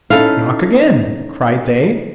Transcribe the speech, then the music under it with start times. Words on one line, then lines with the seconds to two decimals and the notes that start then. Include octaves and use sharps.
'Knock again!' cried they.
0.10 C#4 D#4 E4 A4 F5